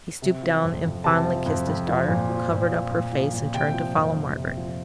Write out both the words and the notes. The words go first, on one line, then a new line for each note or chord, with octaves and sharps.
He stooped down and fondly kissed his daughter; covered up her face, and turned to follow Margaret.
C3
F3
F2
F2
C3 A5
F3
F2
F2
F3
A#2
F3
A#2
F3
A#2
F3
A#2
C3 G5
F3
F2
F2
C3
F3